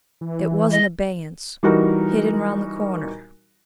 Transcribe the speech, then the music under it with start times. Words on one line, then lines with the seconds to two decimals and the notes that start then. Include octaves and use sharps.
It was in abeyance--hidden round the corner.
0.21 E3
0.71 D#5
1.63 E3 G3 D#4 F#4 A#4